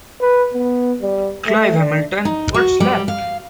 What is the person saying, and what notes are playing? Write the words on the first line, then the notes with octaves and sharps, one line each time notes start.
Clive Hamilton - What's Left?
B4
B3
G3
A3
D4
D#4
F#4
G3
F5